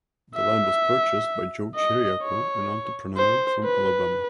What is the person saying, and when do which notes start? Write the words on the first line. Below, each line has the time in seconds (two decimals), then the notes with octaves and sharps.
The land was purchased by Joe Chiriaco, an entrepreneur from Alabama.
0.35 E5
1.75 D#5
2.23 C#5
3.17 C5
3.63 B4